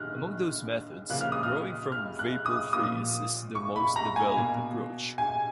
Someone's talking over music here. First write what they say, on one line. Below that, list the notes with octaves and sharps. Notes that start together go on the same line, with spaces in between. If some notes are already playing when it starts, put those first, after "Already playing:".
Among those methods, growing from vapor phase is the most developed approach.
Already playing: D#3 F6 F#6
C#3 F3 A#3 F#6
F6
D#6
F6
F6
F#6
D#6
A#2 F3 A#3 D#6
C#6
B5
A#5
G#5
B2 A#3
G#5